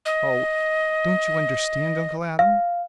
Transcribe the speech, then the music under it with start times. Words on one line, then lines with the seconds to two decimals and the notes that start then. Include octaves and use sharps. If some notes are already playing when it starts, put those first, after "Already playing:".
"Oh! don't you understand, Uncle Adam?"
0.06 D#5
2.39 F5